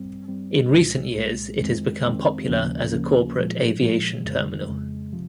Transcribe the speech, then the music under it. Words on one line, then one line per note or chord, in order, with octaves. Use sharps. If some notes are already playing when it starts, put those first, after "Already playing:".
In recent years it has become popular as a corporate aviation terminal.
Already playing: G2 G3 C4
G2 G3 C4
C2 A#2 G#3
C2 A#2 G#3
F2 D#3 G#3 C4
F2 D#3 G#3 C4
D#2 C#3 F3 A#3 C#4
D#2 C#3 F3 A#3 C#4
A#2 F3 G#3
A#2 F3 G#3
F2 C#3 G#3
F2 C#3 G#3
C3 F3